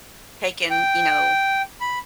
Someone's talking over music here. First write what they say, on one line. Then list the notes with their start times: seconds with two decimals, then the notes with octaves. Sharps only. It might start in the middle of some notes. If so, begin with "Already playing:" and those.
taken, you know,
0.70 G5
1.81 B5